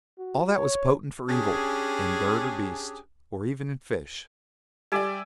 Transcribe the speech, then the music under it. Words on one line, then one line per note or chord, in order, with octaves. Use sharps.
All that was potent for evil in bird or beast, or even in fish.
F#4
C#5
C#4 D4 G4 G#4
G3 G4 D5 E5 G#5 D6